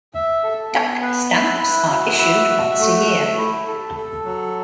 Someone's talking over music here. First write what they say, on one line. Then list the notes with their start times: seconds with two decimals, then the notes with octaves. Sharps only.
Duck stamps are issued once a year.
0.15 E5
0.43 A4
0.73 B3
1.02 B4
1.32 E4
1.60 E4
1.90 F#4
2.19 E5
2.50 F#4
2.79 A3
3.07 E5
3.37 E4
3.67 A4
3.96 A4
4.25 F#3